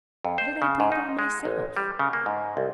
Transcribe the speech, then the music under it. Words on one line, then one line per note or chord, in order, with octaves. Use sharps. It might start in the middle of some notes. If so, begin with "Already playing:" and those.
"How did I bring it on myself?"
F2
C5
C#3
G#2
D#4
G#3
A1
G3
C#3
A#3
G#2
C2